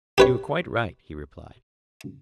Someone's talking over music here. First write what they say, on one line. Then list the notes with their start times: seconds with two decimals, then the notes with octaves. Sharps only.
You are quite right, he replied.
0.18 G4 B4 C#5